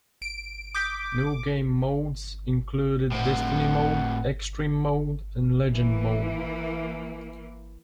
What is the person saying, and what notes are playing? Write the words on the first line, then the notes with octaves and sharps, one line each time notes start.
New game modes included Destiny Mode, Xtreme Mode, and Legend Mode.
D7
D6 D#6 G6 B6
A2 C4 F#5
E3 A#3